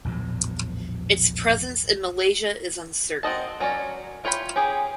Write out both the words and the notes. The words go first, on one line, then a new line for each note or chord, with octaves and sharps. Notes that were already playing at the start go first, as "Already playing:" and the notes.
Its presence in Malaysia is uncertain.
A#1 E2 A2 F#3
C4 F#4 D#5 A5
F#3 C#4 A#4 C#5 D5
E4 F4 C#5 G5 B5
C#4 G4 G#4